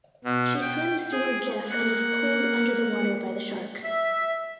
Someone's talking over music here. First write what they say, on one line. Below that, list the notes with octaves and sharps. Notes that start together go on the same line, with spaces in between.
She swims towards Jeff and is pulled under the water by the shark.
B2
G5
G#4
A#3 F#5
E5